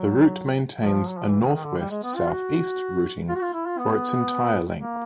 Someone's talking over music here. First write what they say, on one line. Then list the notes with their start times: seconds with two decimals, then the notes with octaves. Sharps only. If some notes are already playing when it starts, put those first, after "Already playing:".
The route maintains a northwest-southeast routing for its entire length.
Already playing: F#3
0.78 F3
1.09 F#3
1.18 F3
1.28 E3
1.40 D#3
1.54 D#3
1.65 D3
1.78 G3
1.90 G#3
2.04 B3
2.16 F4
2.29 F#4
3.29 F4
3.35 F#4
3.42 F4
3.54 E4
3.66 F4
3.79 B3
4.79 A#3